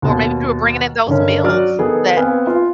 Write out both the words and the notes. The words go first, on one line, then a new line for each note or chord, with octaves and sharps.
Or maybe if you were bringing in those meals that
D#2 B2
G2 D3 D#3 C#4
F#3 D5 F6
D#3 B3 G#4 A4
B3 C4 F5 G#5
F4